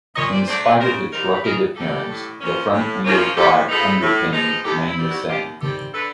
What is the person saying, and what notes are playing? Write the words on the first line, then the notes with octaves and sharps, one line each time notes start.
In spite of its rugged appearance, the front-wheel drive underpinnings remained the same.
A#2 C#5 D#5
C5 D5
F#3 A3 D4 C5 D5
B4 C#5
C#3 A#4 C5
E3 G3 A#3 D#4 A#4 C5
B4
C#3 G#4 A#4
E3 G3 A#3 D#4 G4 A4
A2
F3 A#3 C#4
A2
F3 A#3 C#4
A2 G4 A4
F3 G#3 B3 D#4 A4 B4
A2
F3 G#3 B3 D#4
D#2 G4 A4
E4
D#3 G3 C4
E4 F#4
D#2 F4 G4
D#3 G3 C4 G4 A4
D3 A4 B4